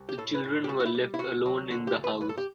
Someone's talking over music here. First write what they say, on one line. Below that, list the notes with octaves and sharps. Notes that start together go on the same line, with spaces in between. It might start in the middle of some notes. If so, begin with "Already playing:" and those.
The children were left alone in the house.
Already playing: C2
G4
A2 A4
B4
A2
G4
G3 F#4
F#4
E4
G3
E4
D2 F#4
F#3
D3 F#4
G4
D2
B4
F#2 B4
A4
G4